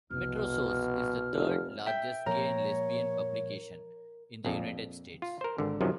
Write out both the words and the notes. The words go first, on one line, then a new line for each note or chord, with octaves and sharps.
"Metrosource" is the third largest gay and lesbian publication in the United States.
C2 F2 B2 F6
F1
E5 G5
A#2 F3 A#3 A#4 C#5
A#1 F2
F4
A#4 C5
G#1 D3
F#2 C3 D#3 F3 F#3